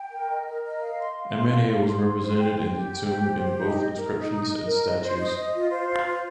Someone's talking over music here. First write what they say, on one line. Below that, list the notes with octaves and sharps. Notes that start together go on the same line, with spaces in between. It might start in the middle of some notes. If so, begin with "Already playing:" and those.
Amenia was represented in the tomb in both inscriptions and statues.
Already playing: G5
A#4
D#5
A#4
D#5
F5
C6
F5
C6
F5
F5
C6
C6
C5
G5
G5
G4
G5
G4
C5
G4
D#4
D#5
A#4
D#4
D#4
D#5
A#4
D#5
C5
D#5
D#5
F4
C5
F4
C5